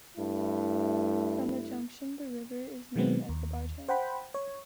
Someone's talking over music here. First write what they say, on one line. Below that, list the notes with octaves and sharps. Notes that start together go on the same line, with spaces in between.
From the junction the river is known as the Bartang.
G2 A3 E4
B2 D#3 F#3 G#3 B3 C4
D#2
C5 F#5 G5 B5
C#5